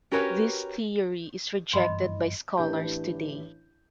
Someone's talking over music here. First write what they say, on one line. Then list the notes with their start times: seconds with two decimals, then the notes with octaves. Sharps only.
This theory is rejected by scholars today.
0.11 C#4 F#4 G4 A#4 B4 C#5
1.73 F#1 G2 E3 D#5 B5 C6
2.57 A1 E3 D4 G4 B4 G6